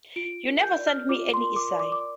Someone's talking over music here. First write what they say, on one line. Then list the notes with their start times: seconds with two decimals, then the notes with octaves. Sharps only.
You never sent me any essay.
0.16 F4 D7
0.48 A#4
0.63 G6
0.79 D5
0.87 F6
1.09 F4 D6
1.34 C6
1.41 A#4
1.56 D6
1.72 D5
1.79 D6
1.92 D6